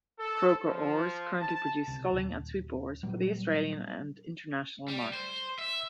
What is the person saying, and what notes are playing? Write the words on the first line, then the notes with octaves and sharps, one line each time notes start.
Croker Oars currently produce sculling and sweep oars for the Australian and international market.
A4
F3
A5
C2
D#1
A#2 F#3 G3
G3
C5
E5